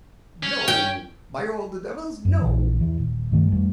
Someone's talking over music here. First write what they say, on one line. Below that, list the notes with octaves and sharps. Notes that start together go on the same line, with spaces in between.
"No! By all the devils, no!"
C#4 C#5
G5
F#2
A#1 E3
E2 E3
D#1
G2 D#3 A3
F2 G3 A3